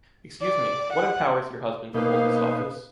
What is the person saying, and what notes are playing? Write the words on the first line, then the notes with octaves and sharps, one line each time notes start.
Excuse me, what empowers your husband to hold this office?
D5
F#5
B2 A#3 D#4 B4 C5 F5